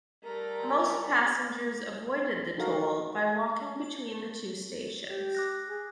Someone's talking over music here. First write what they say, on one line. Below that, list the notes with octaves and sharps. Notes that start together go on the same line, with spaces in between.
Most passengers avoided the toll by walking the between the two stations.
G3 A3 A#4 A#5
G#3 C4
D#4 F#4 A4 A#4 F5
G4
D6 F#6 A#6
G#4